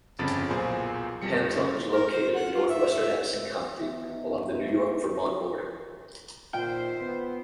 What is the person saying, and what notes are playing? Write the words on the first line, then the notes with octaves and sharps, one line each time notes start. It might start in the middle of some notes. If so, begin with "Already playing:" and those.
Panton is located in northwestern Addison County, along the New York-Vermont border.
G1 F2 C#3 B5 A6 D7
B1 E2 A#2 G#4 C5
F2 G3 C#7
C#3 E4
A#4
C5
F#5
F4
E5
E5
B3 D#4 E5
A#2 D#3 F4 C5 E5 G5
B3